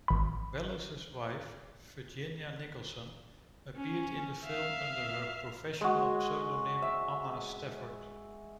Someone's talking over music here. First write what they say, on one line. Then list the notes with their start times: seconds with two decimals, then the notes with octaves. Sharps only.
Welles's wife, Virginia Nicolson, appeared in the film under her professional pseudonym Anna Stafford.
0.08 G#1 B5
3.75 C#4
4.45 E5 F5
5.81 G#3 F#4
6.82 E5